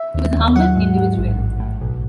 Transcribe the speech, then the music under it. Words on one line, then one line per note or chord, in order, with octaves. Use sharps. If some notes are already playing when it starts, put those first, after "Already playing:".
He was a humble individual.
Already playing: E5
D#2
D#2
F#3 F#5
G#2
G#2
A1
A1
A2
B1